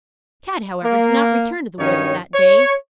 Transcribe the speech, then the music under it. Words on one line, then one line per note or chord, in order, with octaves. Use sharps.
Tad, however, did not return to the woods that day.
A#3
G2 D#3 F#3 C#4 D#4 C#5
C#5